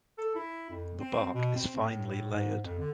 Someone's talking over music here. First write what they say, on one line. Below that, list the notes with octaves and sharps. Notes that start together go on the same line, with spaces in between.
The bark is finely layered.
A4
E4
F2
C4
B2
C4
A2
A2
G#2
F2
D3